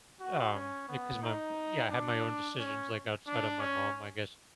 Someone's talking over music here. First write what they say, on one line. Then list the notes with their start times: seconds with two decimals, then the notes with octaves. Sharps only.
j um, because my m Yeah, I had my own decisions, like, outside of my mom, I guess.
0.20 F#4
0.54 C#4
0.88 B3
1.22 D#4
1.91 D4
2.58 C#4
3.27 D4
3.60 C#4